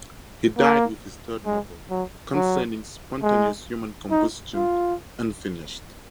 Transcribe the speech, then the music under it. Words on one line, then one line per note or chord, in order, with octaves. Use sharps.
He died with his third novel, concerning spontaneous human combustion, unfinished.
A#3
G#3
F#3
F#3
G#3
D#4
F4